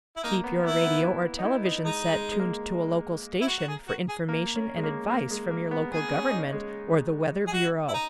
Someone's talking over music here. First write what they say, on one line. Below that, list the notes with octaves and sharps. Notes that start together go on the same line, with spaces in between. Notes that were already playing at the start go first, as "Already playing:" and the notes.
Keep your radio or television set tuned to a local station for information and advice from your local government or the Weather Bureau.
E4
A#3 D#4
B3
B3 E4
B3
E4
D#4
E4
D#4
G#3 D#4
G#3
G#3
A#3
E4
F#4
F#4
G#4
F#4
G#4
A#3
C#4
G#3
A#3
A#3
G#3
A#3
B3
B3 G#4
C#4
D#4
G#3
G#4
F#4
E4
D#4